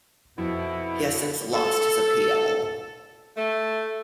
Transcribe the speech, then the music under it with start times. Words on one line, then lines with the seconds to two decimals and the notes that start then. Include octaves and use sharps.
He has since lost his appeal.
0.38 F2 B2 E4
1.54 A4
3.36 A3